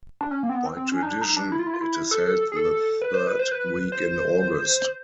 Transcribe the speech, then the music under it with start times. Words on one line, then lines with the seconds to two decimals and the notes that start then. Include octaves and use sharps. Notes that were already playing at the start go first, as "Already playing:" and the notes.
By tradition it is held the third week in August.
0.21 D4
0.31 C#4
0.43 A#3
0.49 C4
0.54 B3
0.65 C4
0.77 C4
0.92 C#4
1.03 D#4
1.07 D4
1.21 D#4
1.37 D4
1.52 E4
1.59 F4
1.66 E4
1.74 F4
1.81 E4
2.11 A4
2.52 G#4
2.56 A4
3.02 B4
3.14 C5
3.27 B4
3.39 C5
3.51 B4
3.92 C5